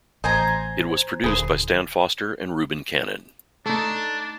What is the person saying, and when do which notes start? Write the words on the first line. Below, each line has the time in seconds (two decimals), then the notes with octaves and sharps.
It was produced by Stan Foster and Reuben Cannon.
0.24 A1 C5 D#5 G#5 A#5
1.24 D#1 D3 D#3 G#4 B4 C5
3.66 A3 D4 D#4